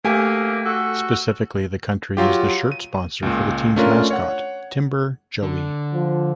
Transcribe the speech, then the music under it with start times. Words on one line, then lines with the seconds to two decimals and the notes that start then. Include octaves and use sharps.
Specifically, the company is the shirt sponsor for the team's mascot, "Timber Joey".
0.04 D2 A3 A#3 G4 G#5
0.66 F#4 A4
2.17 F#3 F4 G4
2.72 D#7
3.22 C#2 A#2
3.76 A3 C#4 D4 F4 A#4
4.11 C#5 F#5
5.43 D3
5.93 F3